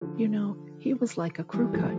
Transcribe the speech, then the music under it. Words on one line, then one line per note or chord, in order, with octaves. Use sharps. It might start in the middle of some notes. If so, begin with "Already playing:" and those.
You know, he was like a crew cut.
D3 F3
E3 G3
F3 A3